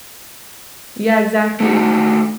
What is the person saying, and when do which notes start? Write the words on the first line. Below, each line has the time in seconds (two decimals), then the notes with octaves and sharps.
Yeah, exactly.
1.60 A3 D#4 F#4